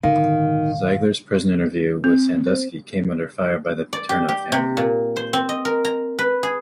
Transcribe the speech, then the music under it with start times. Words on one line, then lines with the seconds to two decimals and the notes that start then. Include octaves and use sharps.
Ziegler's prison interview with Sandusky came under fire by the Paterno family.
0.03 D#1 G#1 A#2 D3 D#3 F5
2.04 C4
2.46 C5
3.93 D5
4.09 G4
4.29 G4
4.52 C3
4.77 A#2
5.16 C5
5.33 C4
5.49 D#5
5.65 A#4
5.85 A#5
6.19 B4
6.43 G#4